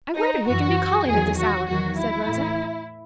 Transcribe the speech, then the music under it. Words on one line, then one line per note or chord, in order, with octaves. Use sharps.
"I wonder who can be calling at this hour," said Rosa.
D#4
F#2 E3 F#4
E2 D#3 F#3 G#4
F#4
E2 D#3 F#3 F#4
E4
A2 E3